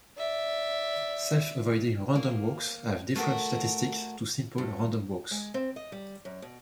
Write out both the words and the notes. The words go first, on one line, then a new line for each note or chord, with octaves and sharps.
Self-avoiding random walks have different statistics to simple random walks.
D5 E5
A#3
A3 F#4 A#4
G2
G#3
C4
D#5
G3
F#2
B2